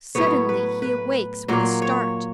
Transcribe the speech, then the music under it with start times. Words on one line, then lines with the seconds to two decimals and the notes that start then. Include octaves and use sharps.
Suddenly he awakes with a start.
0.15 A2 F#3 B3 C#5
0.49 B4
0.82 B4
1.48 A#2 F#3 A#3
1.82 C#5